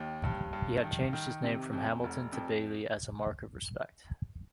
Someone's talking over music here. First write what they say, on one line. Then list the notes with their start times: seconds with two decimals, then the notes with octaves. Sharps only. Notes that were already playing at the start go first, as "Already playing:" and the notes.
He had changed his name from Hamilton to Baillie as a mark of respect.
Already playing: D#2 D#3
0.24 G2
0.53 G2
0.84 D#3
1.13 D#3
1.43 C3
1.73 F2
2.04 F1
2.32 F2